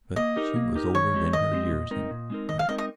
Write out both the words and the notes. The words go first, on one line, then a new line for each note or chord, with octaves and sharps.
But she was older than her years and quieter.
A#3 D#5
D#4 G4 A#4
A#3
D#4 G4 A#4
D#3 C#5
G#3 C4 G4
D#3 D#5
G#3 C4 G4
A#2
G#3 C4 D#4 A#4
A#2
G#3 C4 D#4 A#4
D#3 D#5
F5
G#3 C4 D#4 A#4 D#5
D#5